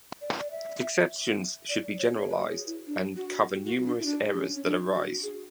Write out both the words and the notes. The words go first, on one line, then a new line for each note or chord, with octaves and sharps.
Exceptions should be generalized and cover numerous errors that arise.
D5
D5
E5
D5
C#5
C#5
B4
F#4
G#4
E4
D4
F#4
F#4
D4
E4
D4
C#4
C#4
D4
F#4
G#4